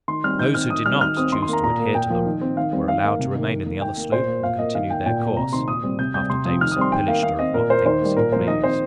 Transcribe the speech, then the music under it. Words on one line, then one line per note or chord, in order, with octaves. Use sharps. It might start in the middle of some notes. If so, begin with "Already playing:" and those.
Those who did not choose to adhere to them were allowed to remain in the other sloop, and continue their course, after Davis had pillaged her of what things he pleased.
D#3 C6
G3 C4 F6
D#3 G6
C4 F6
D#3 D#6
G3 C4 F6
D#3 F6
C4 D#6
D#3 C6
C6
A#3
A#5
A#2 A#5
A#3
A#2 G5
F3 A#3
D#3
C4
D#3 F5
G3 C4
D#3 F5
A#3 F5
C3
D#3 A#3
D#3
A#3
D#3 G5
A#3
A#2 C5
A#3
A#2 F5
A#3 D#5
D#3 F5
A#3 G5
A#2 G5
A#3
C3 A#5
D#3 C4 C6
A#2 D#6
G3 C4
C3 G6
G3 C4 G6
C3 C6
F3 C4 D#6
D#3 F6
D#6
G3 C4 C6
D#3 G5
A#3 F5
D#3 F5
C4 D#5
A#2 A#4
A#3 C5
D#3 C5
G3 A#3
A#2 A#4
F3 A#3 C5
D#3 D#5
C4 C5